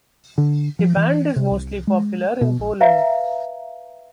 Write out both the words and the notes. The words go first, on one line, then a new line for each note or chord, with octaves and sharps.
The band is mostly popular in Poland.
D3
F3
E3
C3
C2
G#3
B2
A#1
B4 E5 F5 A#5